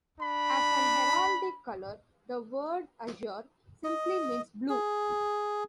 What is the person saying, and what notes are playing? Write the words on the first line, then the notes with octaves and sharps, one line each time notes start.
As an heraldic colour, the word "azure" simply means "blue".
D4 B5
D#5
G#4